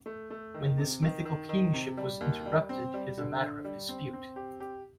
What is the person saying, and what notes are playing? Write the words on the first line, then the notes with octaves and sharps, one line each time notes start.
When this mythical kingship was interrupted is a matter of dispute.
A3
A3
D#3
C3
D#3
D#3
D#3
C3
G3
D#2
G3
C4
G3
D3
D3
G3
C4
C4
G4
G4